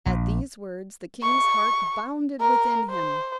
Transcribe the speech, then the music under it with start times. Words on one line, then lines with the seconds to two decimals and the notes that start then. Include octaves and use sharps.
At these words the king's heart bounded within him.
0.06 A#1
1.22 C#6
2.40 A#4
2.90 C5